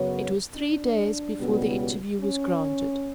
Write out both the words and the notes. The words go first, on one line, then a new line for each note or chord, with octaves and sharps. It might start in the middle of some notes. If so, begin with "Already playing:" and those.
It was three days before the interview was granted.
Already playing: F#2 C#3 F#3 B3 C#5
D4
C#2 B2 G3 B3
C#4